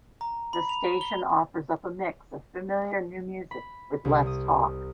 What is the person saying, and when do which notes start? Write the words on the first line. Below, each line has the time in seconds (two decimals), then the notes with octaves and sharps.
The station offers up a mix of familiar new music with less talk.
0.21 A#5
0.53 B5
0.69 F7
1.01 G7
3.51 B5
4.05 C2
4.27 D#6